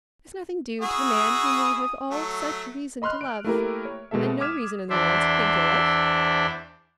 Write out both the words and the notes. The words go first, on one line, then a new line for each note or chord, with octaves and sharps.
Is nothing due to the man whom we have all such reason to love, and no reason in the world to think ill of?
E4 F#4 G#4 D#6
F#3 A3
D#5 B5 C6 F6 F#6
D7
A3 A#3 E4 G4 A#4
C#5
B2 G#3 A#3 A4 E5
D6 D#6 F6 G#6 B6 E7
E2 D4 C5 E5